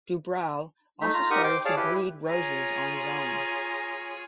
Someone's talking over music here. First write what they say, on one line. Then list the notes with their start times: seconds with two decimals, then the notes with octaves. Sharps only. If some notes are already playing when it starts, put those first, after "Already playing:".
Dubreuil also started to breed roses on his own.
1.01 A3 D#4 E5
1.14 F4 A#5
1.31 D#4 G4 A#4 F#5 C#6 D#6
1.44 C5 G5 D6
1.65 G#4 C#5 D5 F5 A5
1.77 E4 G4 B4
2.29 F4 G#4 C#5 A#5